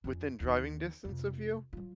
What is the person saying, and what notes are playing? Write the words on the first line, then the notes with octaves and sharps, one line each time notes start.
within driving distance of you?
F2 C#4
D#2 D#3
F2 C3
F#3 F4